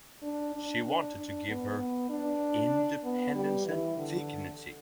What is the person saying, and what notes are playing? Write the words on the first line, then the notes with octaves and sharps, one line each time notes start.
She wanted to give her "independence and dignity".
D4
D4
D4
D4
B3
B3
D4
B3
G3
E3
D3